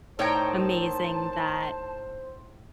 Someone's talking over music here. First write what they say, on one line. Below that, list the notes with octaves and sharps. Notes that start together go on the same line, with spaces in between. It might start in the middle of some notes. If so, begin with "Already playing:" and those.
amazing that
A2 D#4 A#4 C5 C#5 G5 A5 A#5